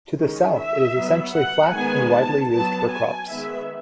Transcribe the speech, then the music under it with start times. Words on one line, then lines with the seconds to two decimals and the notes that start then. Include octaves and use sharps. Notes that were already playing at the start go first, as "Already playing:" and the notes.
To the south it is essentially flat and widely used for crops.
0.17 D#3 G#3 C#4
0.56 E5
0.95 F#3 B3
1.34 F#5
1.74 D#3 G#3 B3 G#5
2.12 A5
2.52 F#3 B3 A5
2.91 G#5
3.30 D#3 G#3 B3 E5